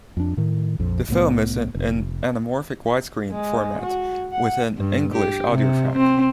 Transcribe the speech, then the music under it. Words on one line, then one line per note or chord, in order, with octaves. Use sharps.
The film is in anamorphic widescreen format with an English audiotrack.
F2 D4
A2 D#3
A#1 F2
C2 A2 B3
F1
G#3
F#4
F#5
G2
G4
C3
C4